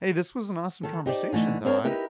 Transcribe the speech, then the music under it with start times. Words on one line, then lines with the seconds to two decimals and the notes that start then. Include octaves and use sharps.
Hey, this was an awesome conversation, Dodd.
0.83 D#3 A4
1.06 D#4 G4 C5 D5
1.33 D3 E3 A3 D#4
1.65 C4 D4 A#4 C5 C#5
1.84 D#4 E4 G4 A#4 B4